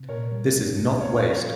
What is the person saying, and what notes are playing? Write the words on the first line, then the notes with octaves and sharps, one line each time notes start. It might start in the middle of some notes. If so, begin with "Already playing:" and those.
This is not waste.
Already playing: C3
A#2 A#4 C#5
G3
C#2
C#2
A#3 C#5 F5
C#5 F5
F3
C#5 F5